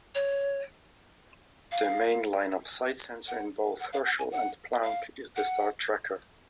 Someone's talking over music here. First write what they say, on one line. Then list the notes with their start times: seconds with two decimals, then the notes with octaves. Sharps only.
The main line-of-sight sensor in both "Herschel" and "Planck" is the star tracker.
0.15 C#5
1.71 F5
3.27 F#5
3.80 F#5
3.93 F5
4.05 F#5
4.18 G#5
4.32 F#5
4.84 F5
5.36 F#5